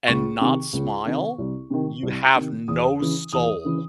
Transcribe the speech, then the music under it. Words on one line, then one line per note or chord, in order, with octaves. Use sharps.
and not smile, you have no soul.
C#2 C#6
C3 D#3
C#2
C3 D#3
C2
C3 D#3
C2
C3 D#3
E2 D#6
C#3 E3
E2 D#6
C#3 E3